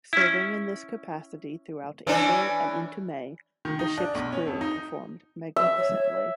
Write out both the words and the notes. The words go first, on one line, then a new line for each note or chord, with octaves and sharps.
Serving in this capacity throughout April and into May, the ship's crew performed magnificently.
C#4 E4
E3 C#4 D4
D#3
D#4
D4
B1
C#4
F2
D#4
E5
C#5